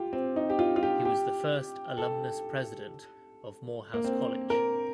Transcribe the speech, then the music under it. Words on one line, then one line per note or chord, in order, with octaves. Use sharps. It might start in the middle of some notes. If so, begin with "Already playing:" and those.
He was the first alumnus president of Morehouse College.
Already playing: F4 G4
C4
D#4
G4
F4
F4
G4
G4
A4
A#3
C4
A#4